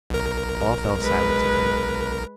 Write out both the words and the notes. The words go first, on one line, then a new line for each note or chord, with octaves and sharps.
All fell silent again.
B1 A#4
G#3 B4